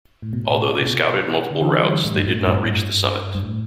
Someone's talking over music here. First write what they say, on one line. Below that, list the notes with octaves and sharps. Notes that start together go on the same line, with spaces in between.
Although they scouted multiple routes, they did not reach the summit.
A2
B2
A2
C3
B2
D3
E3
D3
G3
G3
A2
G2
A2
A2
G2
A2
G2
G2
A2